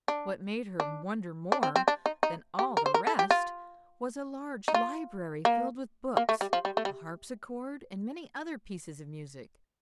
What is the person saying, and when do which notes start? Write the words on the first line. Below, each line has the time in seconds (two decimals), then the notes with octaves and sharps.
What made her wonder more than all the rest was a large library filled with books, a harpsichord, and many other pieces of music.
0.08 D4
0.80 D4
1.52 D4
1.63 C4
1.76 C4
1.88 D4
2.06 D#4
2.23 D#4
2.59 G4
2.77 A#4
2.86 C5
2.94 A#4
3.07 A4
3.19 G4
3.31 F4
4.68 D#4
4.74 F4
5.45 A#3
6.17 A#3
6.29 A3
6.41 G3
6.53 F3
6.65 G3
6.77 A3
6.85 G3